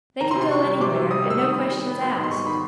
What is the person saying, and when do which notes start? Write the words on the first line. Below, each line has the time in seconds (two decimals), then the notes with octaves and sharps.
They could go anywhere, and no questions asked.
0.21 D#3 A#5
0.31 C6
0.36 C3
0.41 C6
0.51 D#3 C#6
0.66 G3
0.80 C3 D6
0.96 C3
1.11 G3 D#6
1.26 A#3 E6
1.41 D#3 D#6
1.56 B3
1.71 G3
1.86 B3
2.01 B3
2.16 G#2
2.24 C6
2.32 G3 C#6
2.46 D#3 B5